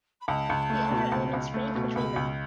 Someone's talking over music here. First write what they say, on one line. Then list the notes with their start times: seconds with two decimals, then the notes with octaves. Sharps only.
The other elements rank between them.
0.21 B5
0.28 C#2 A5
0.49 C#2
0.70 A3
0.91 B2
1.12 C#2
1.33 C#2
1.54 A3
1.75 B2
1.96 C#2 B5
2.16 C#2